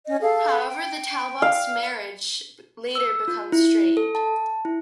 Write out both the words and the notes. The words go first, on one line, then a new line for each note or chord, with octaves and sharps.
However, The Talbots' marriage later becomes strained.
C#4 D#5
G#4 A4 F5
G5
F5
E6
F4
E4
A4
A5
E4